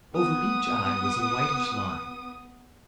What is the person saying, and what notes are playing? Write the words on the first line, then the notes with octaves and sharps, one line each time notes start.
Over each eye was a whitish line.
B3 D#6